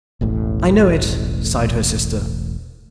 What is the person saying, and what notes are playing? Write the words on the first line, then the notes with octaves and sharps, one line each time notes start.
"I know it," sighed her sister.
E1 A1 A2